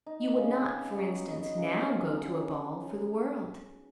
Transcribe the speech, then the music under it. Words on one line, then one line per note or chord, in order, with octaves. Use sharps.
You would not, for instance, now go to a ball for the world.
D#4
C#3
B3
F#3
D#4
C#3
B3
F#3